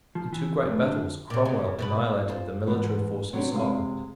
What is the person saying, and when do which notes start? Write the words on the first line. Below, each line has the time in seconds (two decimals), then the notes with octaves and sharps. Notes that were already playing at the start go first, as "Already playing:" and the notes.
In two great battles Cromwell annihilated the military force of Scotland.
0.15 F3
0.33 E3
0.58 F2
0.69 A2
0.82 D3
1.30 A#2 C#3
1.45 C#3
1.79 B2 A4 B4
2.27 F4 G#4 A#4 C5
2.67 E2 G#2 A3 B4
3.33 C3 F#3 B3 C#4 D4
3.52 C3 G#3 F5